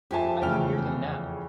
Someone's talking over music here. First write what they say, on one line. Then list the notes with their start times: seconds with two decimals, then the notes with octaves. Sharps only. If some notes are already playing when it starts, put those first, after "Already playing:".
I can hear them now.
0.11 F2 F4 G4 E5 G#5 A5
0.42 E2 C#3 A3 G5 F6